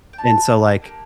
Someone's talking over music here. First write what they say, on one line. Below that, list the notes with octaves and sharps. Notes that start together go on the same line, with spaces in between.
and so, like,
G5
D4 G4 A5
A#3 D4 G4